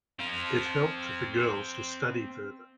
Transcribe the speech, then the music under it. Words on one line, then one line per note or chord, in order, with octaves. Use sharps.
It helped the girls to study further.
C4 F5